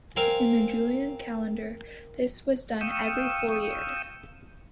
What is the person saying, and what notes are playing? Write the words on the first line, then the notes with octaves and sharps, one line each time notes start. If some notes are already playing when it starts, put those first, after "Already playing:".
In the Julian calendar this was done every four years.
C4 A#4 F5 G5 G#5
F5 G5 C#6 D#6 E6